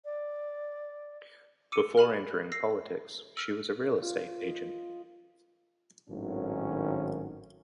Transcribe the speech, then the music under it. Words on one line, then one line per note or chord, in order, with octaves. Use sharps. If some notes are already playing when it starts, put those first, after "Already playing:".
Before entering politics, she was a real estate agent.
D5
D6 E6 C#7 D#7
G4 G#5 B5 F6
E6 A#6 C7
E6 F6
F4
D#5
G#1 A2 D#3 F#3 C#4